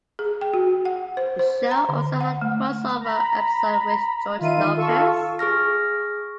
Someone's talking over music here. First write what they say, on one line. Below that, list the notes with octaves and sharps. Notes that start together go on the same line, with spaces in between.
The show also had a crossover episode with "George Lopez".
G#4
G5
F#4
F#5
C5
C5
A#5
D3
F#5
A3
A#5 B5
D#3 F4 E5 D#7
F4 A4 C#6 E6
G#4 C#6 F6 A#6